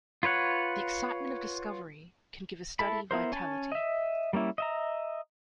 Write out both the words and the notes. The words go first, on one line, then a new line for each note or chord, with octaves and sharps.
The excitement of discovery can give a study vitality.
F4 B4 C#5 F#5
E4 A4 B5
B3 E4 A#4 C5
C#4 G#5 A5
D#5 E5
G3 A#3 C#4 E4
D#5 E5 A#5